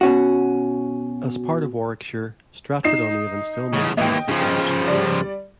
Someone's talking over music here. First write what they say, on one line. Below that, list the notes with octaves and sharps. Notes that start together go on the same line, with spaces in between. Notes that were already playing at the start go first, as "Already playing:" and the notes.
As part of Warwickshire, Stratford-on-Avon still maintains the grammar school system.
B2 C#4 F#4
D#4 C7 E7
E2 C#3
D#2 E3 D#5 G5
C#3 F3
G3 D5